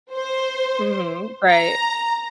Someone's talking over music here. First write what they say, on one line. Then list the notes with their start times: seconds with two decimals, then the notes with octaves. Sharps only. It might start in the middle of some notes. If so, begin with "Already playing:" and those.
Mhm, right.
0.12 C5
1.48 A#5